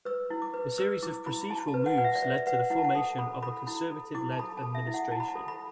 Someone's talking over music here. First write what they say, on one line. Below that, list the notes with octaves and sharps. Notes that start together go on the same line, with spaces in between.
A series of procedural moves led to the formation of a Conservative-led administration.
B4 E6
E4
D6
B4
B4 E6
E4 D6
E4 B5
E4 A5
A5
B4
F#5
B4 F#5
E5
D5
B4 E5
B4 F#5
E4 F#5
A5
F#5
A4 A5
A4 B5
A4 B5
E4 B5
A4
E4 D6
A5
A4 B5
A5
A4
E5
E4
F#5
E4 A5
B5
A5
A4
B5